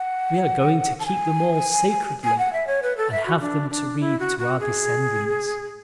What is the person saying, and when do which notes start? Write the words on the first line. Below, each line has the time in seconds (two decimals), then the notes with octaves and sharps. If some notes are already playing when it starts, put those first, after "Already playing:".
We are going to keep them all sacredly and have them to read to our descendants.
Already playing: F#5
0.99 A5
1.06 G#5
2.24 G#5
2.38 F#5
2.53 E5
2.67 C#5
2.83 B4
2.97 A4
3.12 E5
3.26 F#4
3.41 D4
3.70 D4
4.00 E4
4.20 F#4
4.39 F#4
4.60 G#4